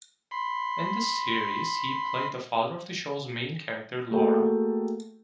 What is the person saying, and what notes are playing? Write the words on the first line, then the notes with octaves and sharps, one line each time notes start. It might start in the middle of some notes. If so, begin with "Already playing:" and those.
In this series he played the father of the show's main character, Laura.
B5 C6
A3 A#3 F#4 G#4 A4 G5